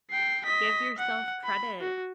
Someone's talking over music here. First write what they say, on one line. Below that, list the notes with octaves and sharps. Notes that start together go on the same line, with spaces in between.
Give yourself credit,
G5 C7
D#5 B6
F#5
B5
F#4